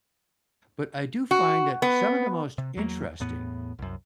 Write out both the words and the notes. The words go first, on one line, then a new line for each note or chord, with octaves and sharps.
but I do find that some of the most interesting,
F#4
B3
C3
E2 F#3 A#3
E2 A2 B3
C2 F#2